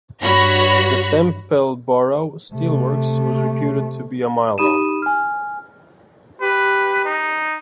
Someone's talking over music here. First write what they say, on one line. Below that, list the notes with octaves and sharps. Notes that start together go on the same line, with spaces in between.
The Templeborough steelworks was reputed to be a mile long.
G2 F#4 C#5 B5 A#6
C3 A3
D#4 G4 B5 D#6 D#7 E7
G#5 F6
G4 B4
D#4